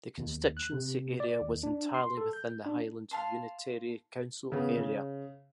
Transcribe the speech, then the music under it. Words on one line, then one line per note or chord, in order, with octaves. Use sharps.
The constituency area was entirely within the Highland unitary council area.
D#2
D#2
F#6
C3
D5
D#2
D4
C6
A4
G6
D4
F5 A5 C6
C#3 B3
C#3